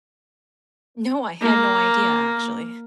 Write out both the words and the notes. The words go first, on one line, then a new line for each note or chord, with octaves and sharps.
No, I had no idea, actually.
A#3